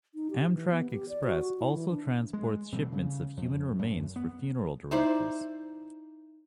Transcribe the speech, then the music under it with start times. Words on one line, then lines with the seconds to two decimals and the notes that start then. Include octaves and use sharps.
Amtrak Express also transports shipments of human remains for funeral directors.
0.15 D#4
0.30 G4
0.53 E3
0.71 B3
0.91 G4
1.09 D5
1.24 F#4
1.42 F#4
1.60 E4
1.75 E3
1.90 D4
2.33 G#3
2.73 B2 E3 G3 C4
2.92 C#3
3.37 F2
3.79 F#2
4.16 B3
4.91 D#4 E4 C5 D5